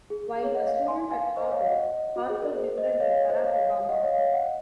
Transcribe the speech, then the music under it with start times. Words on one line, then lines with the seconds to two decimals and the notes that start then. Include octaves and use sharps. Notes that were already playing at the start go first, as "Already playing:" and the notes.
While a student at Harvard, Harper befriended Barack Obama.
0.10 G#4
0.44 C#5
0.55 D#5 F#5
0.66 C#5 F5
0.88 G#5 C6
1.11 F5 G#5
1.36 C5 D#5
1.52 C#5 F5
1.66 D#5 F#5
2.16 F#4
2.29 G#4
2.42 A#4
2.55 C5
2.77 C5 D#5
3.00 C#5 F5
3.14 C#5
3.29 C5 D#5
3.44 C#5 F5
3.89 D#5 F#5
4.03 C#5 F5
4.18 C#5 F5
4.33 D#5 F#5